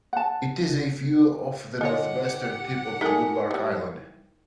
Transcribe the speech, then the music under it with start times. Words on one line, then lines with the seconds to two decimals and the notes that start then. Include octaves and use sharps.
It is a few off the northwestern tip of Woodlark Island.
0.13 F#5 A5
1.81 D3 D#4 F4 G4 C#5 F#5
3.01 A3 D#4 G#4 A#4
3.51 E3 G3